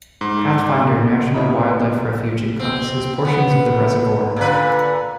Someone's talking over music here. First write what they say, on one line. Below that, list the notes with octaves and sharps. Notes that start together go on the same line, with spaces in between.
Pathfinder National Wildlife Refuge encompasses portions of the reservoir.
G#2
A2 A#3 E4 C#5 D#5 B5
C4
B3
A#2 D3 B4